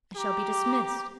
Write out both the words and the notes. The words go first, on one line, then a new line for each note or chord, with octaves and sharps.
I shall be dismissed.
G4 A#5 D6